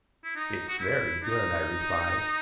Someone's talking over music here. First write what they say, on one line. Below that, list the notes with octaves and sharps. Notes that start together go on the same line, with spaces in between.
"It's very good," I replied.
E4
D#4
F#4
E4
D#4